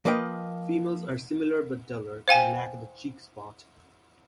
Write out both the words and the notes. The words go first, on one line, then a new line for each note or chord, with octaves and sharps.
Females are similar but duller, and lack the cheek spot.
F3 A#3 B4 D#5 G5
C5 F5 G5 G#5